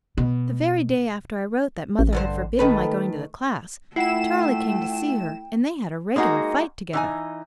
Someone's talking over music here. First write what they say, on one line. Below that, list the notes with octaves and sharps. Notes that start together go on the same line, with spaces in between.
The very day after I wrote that mother had forbidden my going to the class, Charley came to see her, and they had a regular fight together.
B2
A1
G2 D3 C5
D#3 A3 B4
A3 E4 F4 F#5 G5 C7 E7
G#3 A#3 D#4 F#4 G#4
E3 D#4 G#5